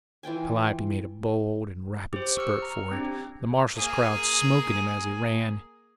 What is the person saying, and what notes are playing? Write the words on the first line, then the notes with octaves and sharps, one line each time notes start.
Calliope made a bold and rapid spurt for it, the marshal's crowd "smoking" him as he ran.
E3 F4 G5 G#5
G4 C5
C#6 E6 F6 C#7
A#5
C4 D4 G4
A#3 G#4